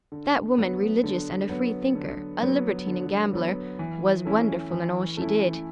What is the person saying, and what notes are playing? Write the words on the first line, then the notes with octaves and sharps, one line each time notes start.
That woman, religious and a Free-thinker, a libertine and gambler, was wonderful in all she did.
D3
F#3 B3
D3
F#3 B3
D3
F#3 B3
D3
F#3 B3
E3
A3 C#4 E4
E3
A3 C#4 E4